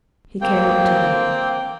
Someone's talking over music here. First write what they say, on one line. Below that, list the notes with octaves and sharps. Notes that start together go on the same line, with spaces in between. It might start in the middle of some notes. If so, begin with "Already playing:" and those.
He came up to her.
A#3 C4 G5